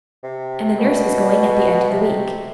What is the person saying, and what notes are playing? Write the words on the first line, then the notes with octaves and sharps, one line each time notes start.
And the nurse was going at the end of the week.
C3
B2
C3